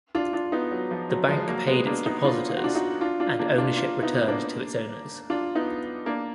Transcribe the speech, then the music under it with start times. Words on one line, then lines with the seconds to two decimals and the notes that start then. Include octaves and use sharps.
The bank paid its depositors and ownership returned to its owners.
0.15 D4 F4
0.33 D4 F4
0.52 B3 D#4
0.71 F#3
0.91 F3
1.10 F#3
1.29 F3 G#3
1.48 F#3 A#3
1.67 G#3 B3
1.86 A#3 D4
2.06 B3 D#4
2.24 D4 F4
2.50 F4
2.57 F#4
2.64 D4 F4
2.75 D#4 F#4
3.01 D4 F4
3.20 D4 F4
3.39 A#3 D4
3.58 D4 F4
3.77 D4 F4
4.02 B3 D#4
4.28 A#3 D4
5.30 D4 F4
5.55 B3 D#4
6.06 A#3 D4